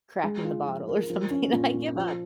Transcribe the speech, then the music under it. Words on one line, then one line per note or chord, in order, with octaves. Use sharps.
cracking the bottle or something, "I give up!"
G#3
F4
F3
A#4
F3
C#4
A#2
A#2
F3